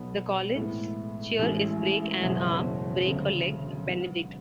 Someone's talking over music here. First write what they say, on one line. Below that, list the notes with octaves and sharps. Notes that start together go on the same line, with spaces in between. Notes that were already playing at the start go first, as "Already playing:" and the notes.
The college's cheer is Break an arm, break a leg, Benedict!
Already playing: B1 B2 F#3 B3
A2 E3 G#3 B3
A1 A2 G#3
F#1 E2 B2 F#3 C#4
E1 D2 C#3 F#3
G#2 F#3 B3